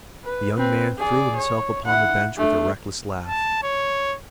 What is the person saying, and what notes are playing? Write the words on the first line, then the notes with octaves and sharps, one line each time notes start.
The young man threw himself upon the bench with a reckless laugh.
B4
C4 B4
G#4 D5
C#5
E4 F#5
A3 D4
A5
C#5